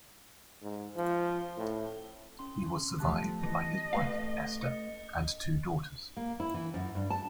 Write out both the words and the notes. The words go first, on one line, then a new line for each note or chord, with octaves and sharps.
He was survived by his wife, Esther, and two daughters.
G#2
F3
A2
C#4 C6
F3 A3 G4 A5 F#6
E3 D#5
A3 B4 F5
D#5 C#7
A#3
E4
E3
F#2
G2
A5